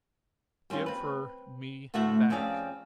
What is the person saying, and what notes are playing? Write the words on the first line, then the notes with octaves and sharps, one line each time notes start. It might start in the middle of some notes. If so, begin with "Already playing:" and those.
"Give her me back."
G3 C4 C#4 F4
C4 B4
D2 A2 A3 F#4 E5 F#5
F2 C4 C#4 G#4 D5 F5